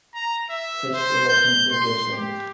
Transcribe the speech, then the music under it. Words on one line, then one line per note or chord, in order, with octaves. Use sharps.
Fiske reluctantly gives in.
A#5
E5
C5
G6
C6
G4